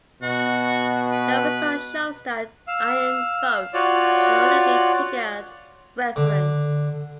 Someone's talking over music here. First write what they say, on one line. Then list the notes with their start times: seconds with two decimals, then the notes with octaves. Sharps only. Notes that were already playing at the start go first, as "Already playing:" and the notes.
The result shows that "iron vote" can only be taken as reference.
0.22 B2 F#4
1.12 B4
2.68 F5 E6
3.74 F4 F#4 C#5 D5
6.16 D3